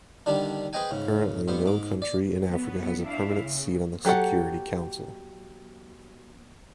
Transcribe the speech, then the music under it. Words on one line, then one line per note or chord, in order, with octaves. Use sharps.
Currently, no country in Africa has a permanent seat on the Security Council.
D3 D#3 G3 D4
G#4 B4 C5 D#5 G5 G#5
G#2 C#3
G2 B3 C5
G#2 D6
D5
F#3 B3
D4 E4 F5
C#3
F#3 G4 A4 F#5